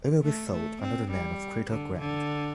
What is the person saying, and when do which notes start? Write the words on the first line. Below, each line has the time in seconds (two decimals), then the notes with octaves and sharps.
It will be sold under the name of Creta Grand.
0.23 A3
0.51 A3
0.82 C4
1.11 G3
1.70 D3
1.99 D3